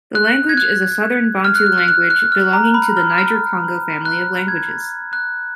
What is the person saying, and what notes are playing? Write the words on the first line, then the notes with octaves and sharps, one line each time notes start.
The language is a Southern Bantu language belonging to the Niger-Congo family of languages.
F#6
G#6
F#6
F6
F#6
F#6
F#6
F#6
F#6
F6
A#5
B5
F6
F6
F#6
G#6
F#6